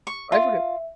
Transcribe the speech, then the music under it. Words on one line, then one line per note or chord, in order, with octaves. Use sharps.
I would've
C#6
F4 E5